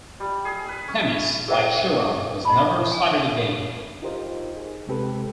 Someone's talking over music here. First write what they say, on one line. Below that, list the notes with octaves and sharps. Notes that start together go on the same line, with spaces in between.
Themis, like Chiron, was never sighted again.
G3
G#4
B4
C#4
G#4 A#4 C5 D#5 E5 F#5
D#5 A5 B5
G#5
D#4 F4 G4 A#4 C5 D#5
G#4
C3 G#3 C4 G4 A4 B4